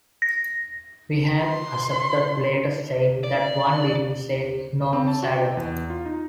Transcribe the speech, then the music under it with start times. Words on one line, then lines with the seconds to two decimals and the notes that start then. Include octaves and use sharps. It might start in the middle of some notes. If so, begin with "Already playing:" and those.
Wihaib accepted, later saying that one didn't say no to Saddam.
0.22 A#6
1.42 C6
3.23 D5
4.93 C4
5.07 A5
5.23 F#4
5.37 G5
5.57 E2
5.90 F4
6.05 D#4